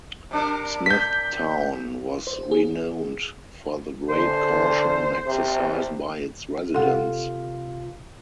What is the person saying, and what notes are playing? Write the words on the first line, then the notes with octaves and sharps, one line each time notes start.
Smithtown was renowned for the great caution exercised by its residents.
C3 D4 A#4
G6 B6
C5
G#4
D3 C5
C3
C3 F4 A4 F#5